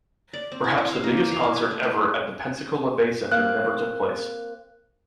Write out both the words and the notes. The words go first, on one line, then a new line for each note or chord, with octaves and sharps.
Perhaps the biggest concert ever at the Pensacola Bay Center never took place.
D5
C4
E4
E4
F5
A#3
E3
F5
E4
B4
A3
B4
A#3 C4 F5 F#6